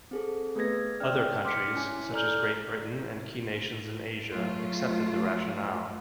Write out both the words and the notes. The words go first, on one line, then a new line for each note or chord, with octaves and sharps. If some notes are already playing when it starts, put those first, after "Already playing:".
Other countries, such as Great Britain and key nations in Asia, accepted the rationale.
C4 G#4 A4
A3 B3 G#4 B4 G#6 A#6
C#4 D5 G5 F6
C6 D6 F6 B6 C#7
C#4 E4 G#5
A4 D5 A#5 F6 G6
F#3 A3 F4